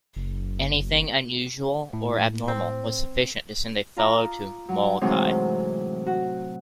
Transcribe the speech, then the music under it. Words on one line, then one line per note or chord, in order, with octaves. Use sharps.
Anything unusual or abnormal was sufficient to send a fellow to Molokai.
F#1
A2
C4
F4 F5 A#5 D6 D#6
F#3
A2 C3 E3 F#3 G#3 D#4
F#4